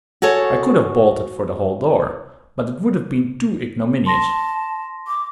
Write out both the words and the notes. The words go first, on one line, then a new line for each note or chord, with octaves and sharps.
I could have bolted for the hall door, but it would have been too ignominious.
F#4 G#4 A4 C#5
A5 C6 A#6
D6